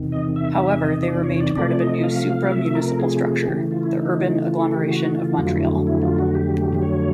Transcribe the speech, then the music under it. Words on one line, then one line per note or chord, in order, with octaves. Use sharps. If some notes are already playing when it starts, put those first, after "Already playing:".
However, they remained part of a new supra-municipal structure: the urban agglomeration of Montreal.
Already playing: E2 C3 D#3
D#5
E5
E5
D#5
D#5
D5
C#5
D5
C3 F3 A3 D5
D#5
F5
E5
A#4
G#4
C#3 E3 A3 G4
F4
E4
D#4
F4
A4
G4
F#4
F4
F2 D3 F#3 A3 F4
E4
E4
F4
F#4
G4
C#5